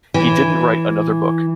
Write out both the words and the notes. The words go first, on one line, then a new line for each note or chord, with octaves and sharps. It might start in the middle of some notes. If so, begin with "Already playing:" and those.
He didn't write another book.
E3